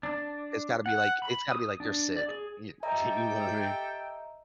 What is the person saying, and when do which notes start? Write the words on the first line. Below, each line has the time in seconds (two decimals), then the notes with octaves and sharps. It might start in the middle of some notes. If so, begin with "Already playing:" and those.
It's gotta be, like it's gotta be, like, you're sick, you you know what I mean.
0.03 D4
0.86 F#5
1.22 B5
1.52 D#6
1.80 D4
2.16 D5
2.28 G#4
2.83 G4 A4 D#5 E5 G5 A#5